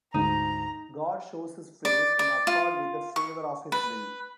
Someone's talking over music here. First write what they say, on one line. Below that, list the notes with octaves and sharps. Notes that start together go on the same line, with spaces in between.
God shows his Face, in accord with the favour of his will.
D2 G#2 D#4 A#5
D5
D5
F4
C#6
B4